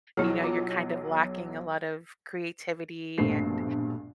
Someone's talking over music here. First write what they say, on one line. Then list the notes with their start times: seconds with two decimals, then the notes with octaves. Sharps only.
you know, you're kind of lacking a lot of creativity and,
0.17 B1 F#3 E4 G#4
0.44 F4
3.18 A#1 G2 B2 A3 C4 C7